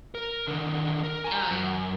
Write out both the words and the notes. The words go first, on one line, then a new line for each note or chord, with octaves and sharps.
Oh, yeah.
A#4
D3 D#3
A#4
G#5 A#5
F#2